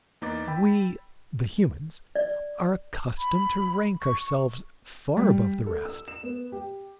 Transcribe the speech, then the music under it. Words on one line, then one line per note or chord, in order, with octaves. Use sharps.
We, the humans, are accustomed to rank ourselves far above the rest.
E2 A#3 D#4 B4 D6 A6
G5 B5 E6
D5
B5
C#6
G3
A4
E6
E7
B3
G4